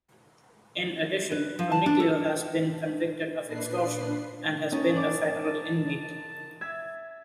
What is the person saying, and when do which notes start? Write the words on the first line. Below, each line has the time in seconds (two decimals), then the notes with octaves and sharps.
In addition, Coniglio has been convicted of extortion and has been a federal inmate.
1.31 B4
1.59 F3
1.72 A5
1.86 D4
2.00 A4
3.46 A#2 D4 B4 C7
4.72 A#3 C#4 D#4 A5
4.96 D5 D6
6.61 E5 G#6